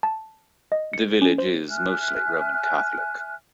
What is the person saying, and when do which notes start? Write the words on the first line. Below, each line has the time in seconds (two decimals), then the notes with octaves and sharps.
The village is mostly Roman Catholic.
0.03 A5
0.72 D#5
0.93 C#7
1.22 C#4
1.38 C5
1.69 E5 G#5 F6 F#6